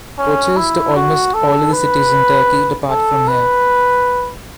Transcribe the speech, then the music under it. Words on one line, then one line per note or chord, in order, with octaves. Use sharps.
Coaches to almost all of the cities in Turkey depart from here.
C#4
E4
F#4
A4
B4
A4
B4